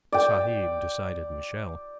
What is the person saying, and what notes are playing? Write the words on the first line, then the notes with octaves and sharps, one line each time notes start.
The "Sahib" decided Michele.
D5 G5